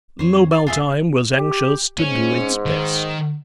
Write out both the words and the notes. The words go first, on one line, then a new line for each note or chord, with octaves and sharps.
Knobaltheim was anxious to do its best.
F2 C5 C#5
F4 D5
E1 F4 G#4 E5
G4
G#2 C#4
D#3